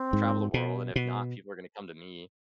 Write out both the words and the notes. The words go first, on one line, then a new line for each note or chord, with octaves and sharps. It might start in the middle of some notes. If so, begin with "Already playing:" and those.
travel the world, and if not, people are gonna come to me,
Already playing: C4
G#2
B2
B2